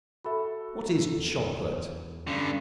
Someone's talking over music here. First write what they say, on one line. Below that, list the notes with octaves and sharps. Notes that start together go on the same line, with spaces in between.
What is Chocolate?
F#4 A4 E5 B5
E2
G2 D3 C#4